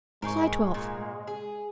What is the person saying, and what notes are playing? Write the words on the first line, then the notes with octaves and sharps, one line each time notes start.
July Twelfth.
G#2 G#3 D#4 G#4 A#4 C#6
A#2
G#4